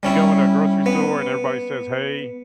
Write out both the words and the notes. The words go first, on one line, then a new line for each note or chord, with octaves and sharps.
you go in a grocery store, and everybody says hey.
G3 C#4 E4
B3